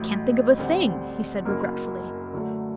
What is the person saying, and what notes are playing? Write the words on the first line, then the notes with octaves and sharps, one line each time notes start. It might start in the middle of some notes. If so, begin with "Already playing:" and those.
"I can't think of a thing," he said regretfully.
Already playing: A1 A2 F#3
D2 D3 G3 C4
F#1 F#2 F#3 A#3
D3 F#3 A3